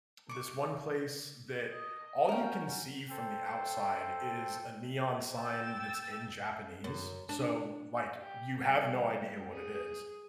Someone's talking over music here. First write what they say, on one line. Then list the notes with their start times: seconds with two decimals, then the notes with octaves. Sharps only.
this one place that all you can see from the outside is a neon sign that's in Japanese, so, like, you have no idea what it is,
0.29 C#6 D6
1.71 D#5
2.29 C#4 F#4 A#4 G5
3.11 A4 C5 G5
5.37 G5 E6 A6
6.84 F#2
7.29 D4
8.20 G4
8.65 G3
9.53 G#4